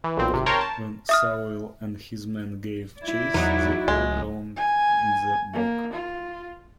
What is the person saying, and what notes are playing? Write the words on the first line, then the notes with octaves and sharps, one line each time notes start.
When Sawyl and his men gave chase, they all drowned in the bog.
E3
B1 A#2 C4
G#1 C3
A#4 C#5 G5 A5 A#5 C6
A5
E5 D#6 F6
E4 D5
E2 F#3 D#4
C#2 G#3
G#5
A#3
F4